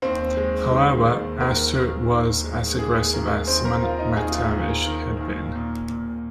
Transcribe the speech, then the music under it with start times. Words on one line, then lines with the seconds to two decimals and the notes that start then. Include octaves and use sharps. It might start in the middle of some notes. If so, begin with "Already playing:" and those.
However, Astor was as aggressive as Simon McTavish had been.
0.02 D#2 C4 C5
0.37 G#3
0.71 D#3
1.06 D#2
1.40 D#2 A#4
1.75 D#2
2.09 D#2
2.44 G#3
2.79 D#2 G#4
3.13 D#2 A#4
3.47 D#2 C4 C5
3.65 A#4 A#5
3.82 D#2 F4 F5
3.99 D#4 D#5
4.17 D#2 G#4 G#5
4.33 F4 F5
4.51 D#2
4.69 A#4
4.86 D#3 A#4
5.20 D#2
5.55 A#2
5.89 A#2